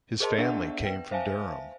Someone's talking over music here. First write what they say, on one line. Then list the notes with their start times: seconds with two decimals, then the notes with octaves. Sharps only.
His family came from Durham.
0.20 G#4 A#4 C5 D#5 A5 C6
0.38 B3 D4 D5 E5 F#5
0.84 B4 G5
1.11 C5 E5 F5 G#5 A5